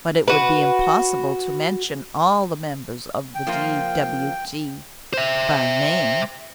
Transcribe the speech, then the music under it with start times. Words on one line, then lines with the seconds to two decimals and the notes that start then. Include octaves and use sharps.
But it would be impossible to mention all the members of the D.W.T. by name.
0.28 F#4 B4
3.35 G5
3.47 F3 A#3 F4
5.13 C5 E5